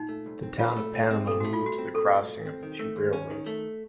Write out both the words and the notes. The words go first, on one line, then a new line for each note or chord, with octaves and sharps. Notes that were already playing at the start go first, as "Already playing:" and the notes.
The town of Panama moved to the crossing of the two railroads.
Already playing: A#2 D#4
A3
C2
C4
A#2 F4
A3
C2
C4
A#2 A4
A3 F#4
F4
C2
F#4
C4
A#2 A4
A3
C2
C4
D#3
A3
D#2
C#4
D#3
A3